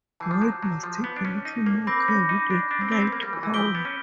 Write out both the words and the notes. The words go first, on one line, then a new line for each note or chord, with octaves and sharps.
White must take a little more care with a knight pawn.
E3 A5 D6 G6 C7
F3
F#3
F#3
F3
B3
D4
C#4
D#4
A#3
C4 B5 D6 G6 A#6
C#4
D#4
D4
D4
C4
C4
B3
A#3
G3
E3
E3
F3 E6 G6 B6 D7 G7
B3
C#4